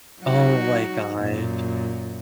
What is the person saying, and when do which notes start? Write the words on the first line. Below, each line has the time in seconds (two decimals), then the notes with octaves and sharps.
Oh my gosh.
0.22 F#3 D#4 F#4
1.16 F#2 A#2